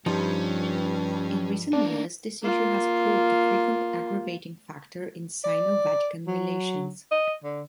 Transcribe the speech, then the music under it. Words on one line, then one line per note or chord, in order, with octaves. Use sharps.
In recent years, this issue has proved a frequent aggravating factor in Sino-Vatican relations.
G2 F3 C#4 D#4
A3 A#3 D4
A#3 F4
D5
F#3
D#5
D3